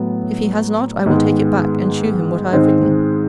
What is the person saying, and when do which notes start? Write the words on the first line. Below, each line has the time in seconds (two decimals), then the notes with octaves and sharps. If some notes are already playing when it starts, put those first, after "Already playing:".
If he has not, I will take it back, and shew him what I have written.
Already playing: A2 F#3 B3
1.06 G#2 D#3 G#3 B3
2.52 G#2 D#3 G#3 C4